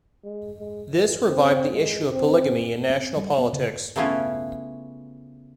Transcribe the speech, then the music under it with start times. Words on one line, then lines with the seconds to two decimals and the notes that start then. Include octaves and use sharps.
This revived the issue of polygamy in national politics.
0.24 G#3
0.59 G#3
0.91 E3
1.29 C4
1.74 G#3
2.11 C4
2.90 C4
3.17 G3
3.38 B3
3.53 C#3
3.96 C#3 A3 B3 C#4 E4 F4